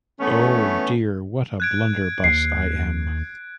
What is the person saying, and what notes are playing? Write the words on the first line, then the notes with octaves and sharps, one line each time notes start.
Oh, dear, what a blunderbuss I am!
E3 A3 B3 C#4
F#6 G#6 D7
D#2 C7